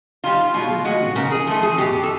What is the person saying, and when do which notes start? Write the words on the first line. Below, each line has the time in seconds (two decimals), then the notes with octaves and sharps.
I will do what I can.
0.24 D#3 G3 F4
0.54 B2 F4
0.85 G#3 F#4
1.15 C#3 A#4
1.31 G#4
1.47 F3 A3
1.63 G#4
1.78 B2 G4
2.04 A4